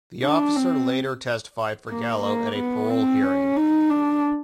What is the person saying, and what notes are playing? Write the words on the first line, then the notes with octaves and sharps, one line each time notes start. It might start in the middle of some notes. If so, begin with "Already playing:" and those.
The officer later testified for Gallo at a parole hearing.
D4
C4
A#3
A#3
B3
C4
C#4
D#4
D4